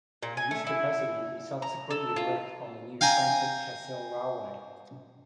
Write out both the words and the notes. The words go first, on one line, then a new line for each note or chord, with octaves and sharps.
In this capacity he subsequently worked on the new Frankfurt - Kassel railway.
A#2
G#5
A3
E4
A#5
A4
F4
F5 G5 G#5 A#5